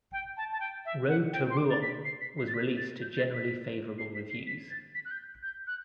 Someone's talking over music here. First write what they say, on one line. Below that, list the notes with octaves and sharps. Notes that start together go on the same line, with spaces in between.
"Road to Rouen" was released to generally favourable reviews.
G5
A5
A5
G5
E5
F#5
G5
C6
D6
A6
B6
C7
B6
C7
A6
B6
A6
G6
A6
B6
C7
B6
C7
B6
A6
B6
F#6
G6
G6
F#6